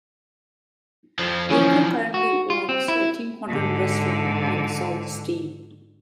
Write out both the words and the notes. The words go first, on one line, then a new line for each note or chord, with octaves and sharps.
Rico currently owns a Tim Hortons restaurant in Sault Ste.
F2 F3
E3 F3 C#4
F#4
F4
C4
E4
G#2 D3